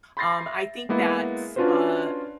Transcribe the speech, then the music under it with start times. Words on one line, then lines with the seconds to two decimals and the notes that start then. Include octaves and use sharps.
Um, I think that's uh,
0.17 B5 C6 G6 A6 A#6 C7
0.46 E5
0.89 G#3 A#3 B3 E4
1.56 C#4 D4 F4 F#4 B4 C5